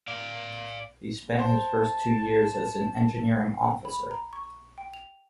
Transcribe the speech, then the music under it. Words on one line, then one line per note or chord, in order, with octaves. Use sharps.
He spent his first two years as an engineering officer.
D5 F5
C5 A5
B5
A#5
C#6
G5
F7